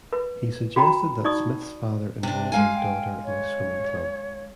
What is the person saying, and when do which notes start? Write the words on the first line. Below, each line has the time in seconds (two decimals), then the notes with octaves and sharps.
He suggested that Smith's father enroll his daughter in a swimming club.
0.13 B4
0.76 F#4 G5 A#5 B5
1.25 D#4 D5 C#6 D#6
2.23 C3 D4
2.52 G#3 F5 G#5
2.75 G5
3.25 C#5